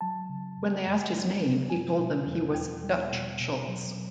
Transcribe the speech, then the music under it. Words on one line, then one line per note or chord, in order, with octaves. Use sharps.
When they asked his name, he told them he was "Dutch" Schultz.
F#3 A5
C#3
F#2
F#2
F#3
C#3
G3 G#5
B2
E2
E2 G5
G3
B2
B2
F#3